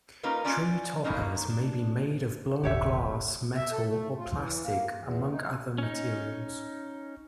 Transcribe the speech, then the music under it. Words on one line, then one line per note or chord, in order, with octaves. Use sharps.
Tree-toppers may be made of blown glass, metal, or plastic, among other materials.
A#3 C#4 D#4 F4 A#4 B4
C#4 F4 D5 G#5
D#3 E3 A#3 C4 C#4 D#4
D#3
D4
D#1 G#1 G4 C#5 E5
E5
A4
A3
F4
E3
A#3
E2
D#4
C#4 D#4